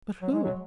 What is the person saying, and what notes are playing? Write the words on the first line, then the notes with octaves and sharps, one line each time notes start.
"But who?"
F#3
G#3
F#3